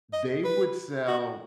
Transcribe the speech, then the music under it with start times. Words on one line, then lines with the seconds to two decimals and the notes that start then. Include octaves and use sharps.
they would sell
0.13 D#5
0.44 B4
1.07 F#4